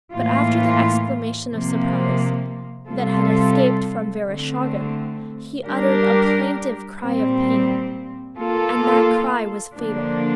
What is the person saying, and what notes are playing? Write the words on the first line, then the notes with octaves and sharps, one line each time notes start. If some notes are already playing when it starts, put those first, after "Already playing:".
But after the exclamation of surprise that had escaped from Vereshchagin he uttered a plaintive cry of pain, and that cry was fatal.
A2 E3 A#3 F4
C3 F3 A#3
C3 G3 C4 F4 A4
D3 A3 C4
G3 D4 G4 A#4
A#2 G3 C4
A#3 F4 A4
D3 F3 A#3 D4